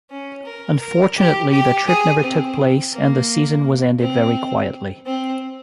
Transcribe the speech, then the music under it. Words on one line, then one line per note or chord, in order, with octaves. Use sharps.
Unfortunately the trip never took place and the season was ended very quietly.
C#4
A#4
A#4
G4
G4
G#4
C4
A#3
C4
C4